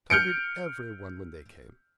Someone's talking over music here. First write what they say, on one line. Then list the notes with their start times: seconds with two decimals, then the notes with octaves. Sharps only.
So did every one when they came.
0.10 F6 G6 C#7 D7